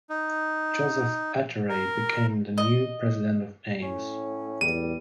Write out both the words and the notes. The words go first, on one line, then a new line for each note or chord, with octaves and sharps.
Joseph Ettore became the new president of Ames.
D#4
A#4
D#5
A2 C#4
E2 G3 D#7